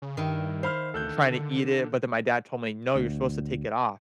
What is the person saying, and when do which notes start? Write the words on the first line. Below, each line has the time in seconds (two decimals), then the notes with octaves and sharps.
trying to eat it, but then my dad told me, "No, you're supposed to take it off."
0.02 C#3
0.17 G2 D#3 E4
0.63 C5 F5 B5 F6
0.94 D2 A4 F#6 G6
1.16 D3
2.96 D2